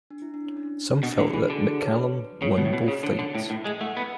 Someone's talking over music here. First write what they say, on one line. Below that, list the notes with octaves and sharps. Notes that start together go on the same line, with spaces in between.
Some felt that McCallum won both fights.
D4
E4
D4
C#4
D4
B2 D4
D3 D4
G#4
E3 F#4
D3 F#4
G#4
A4
C#5
B4
C#3 C#5
B2
A2
B2
C#3
D3
D3
A2 E5
A2
G#3
A3 F#5
B3